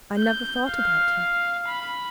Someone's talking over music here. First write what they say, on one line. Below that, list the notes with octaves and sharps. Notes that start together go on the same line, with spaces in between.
'I never thought about her.
G6
F5
B5